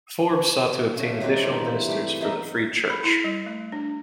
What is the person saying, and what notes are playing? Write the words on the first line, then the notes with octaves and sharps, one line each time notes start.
Forbes sought to obtain additional ministers for the Free Church.
A#2 C#3 A3
D#3 F#3 G3 C4 F#4 G4
G2 D#3 E3 A#3 C4
E4
G3 A3 G4
A#3 D#4 E4 G4 A4 D#5
B5
E4
G3
A3
D4